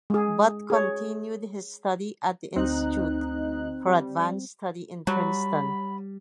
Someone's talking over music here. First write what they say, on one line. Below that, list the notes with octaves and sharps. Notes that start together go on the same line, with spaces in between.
Bott continued his study at the Institute for Advanced Study in Princeton.
G#3 G#4
G#4 C#5
D2 C4 D#4 F#6
G3
F#3 G3 B5